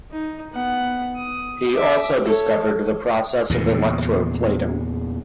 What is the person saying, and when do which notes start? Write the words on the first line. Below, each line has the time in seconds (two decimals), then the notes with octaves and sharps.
He also discovered the process of electroplating.
0.12 D#4
0.53 B3 F#5
1.17 D#6
1.74 E5 D6
2.25 A4 C#5
3.50 E2 A#2 C#3